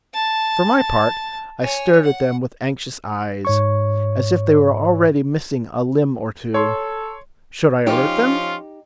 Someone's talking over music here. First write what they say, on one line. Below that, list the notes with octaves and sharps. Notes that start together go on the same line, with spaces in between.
For my part, I stared at them with anxious eyes, as if they were already missing a limb or two. Should I alert them?
A5
A5
C#5 G#5
F#5
G#2 C#5 C#6
A4 C#5 C6
F3 C#4 D#4 F4 G4